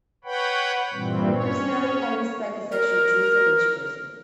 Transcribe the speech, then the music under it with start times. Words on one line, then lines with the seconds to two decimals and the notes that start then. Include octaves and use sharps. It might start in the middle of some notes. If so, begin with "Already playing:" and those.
Personally, I respect the sexual choice of each person.
0.24 B4 C#5 F#5 G5 B5
0.93 G2 A#2 E3 G3 C4
1.31 C#4 C#5
2.71 A#4